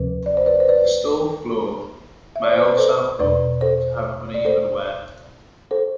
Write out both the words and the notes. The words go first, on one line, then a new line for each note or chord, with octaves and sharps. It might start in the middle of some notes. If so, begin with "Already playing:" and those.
The stall floor may also come to have uneven wear.
Already playing: D2 C3 F3 B4
D5
C5
B4 D5
C5
B4 D5
E5
D5
C5
B4 D5
B4
A4 C5
E2 B2 B4 D5
A4 C5
D5
A4 C5
A4 C5